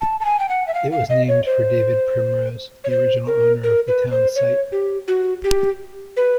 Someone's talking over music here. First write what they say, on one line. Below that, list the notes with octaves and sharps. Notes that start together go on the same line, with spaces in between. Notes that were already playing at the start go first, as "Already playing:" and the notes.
It was named for David Primrose, the original owner of the town site.
A5
A5
G#5
G5
F#5
E5
F5
F5
D#5
C#5
C5
C#5
C5
A#4
A#4
B4
C5
C#5
G4
F#4
G4
B4